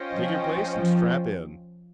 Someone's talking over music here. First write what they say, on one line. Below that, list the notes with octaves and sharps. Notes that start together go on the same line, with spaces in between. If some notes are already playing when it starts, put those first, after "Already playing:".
"Take your place and strap in."
Already playing: C#4 F4 C5 D#5 G5
F3
F3